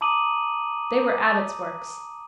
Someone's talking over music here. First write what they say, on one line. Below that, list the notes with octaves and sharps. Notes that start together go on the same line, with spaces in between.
They were Abbot's works.
A5 A#5 D6 D#6 D#7 F#7